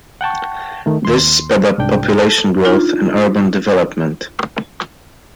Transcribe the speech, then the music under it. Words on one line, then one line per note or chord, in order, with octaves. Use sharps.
This sped up population growth and urban development.
F#5 G5 A5 C#6
D#3 A3
D#2 C6
C2 G#2 D4 G5
A4
D4 D#4 F4